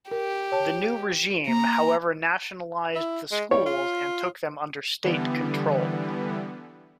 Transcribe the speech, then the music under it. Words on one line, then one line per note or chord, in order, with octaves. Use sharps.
The new regime however nationalised the schools and took them under state control.
G4 A#4
C#5 A5
A#3 A#5
E4
G#3
G3 C#5
F4
D3 E3 G3 B3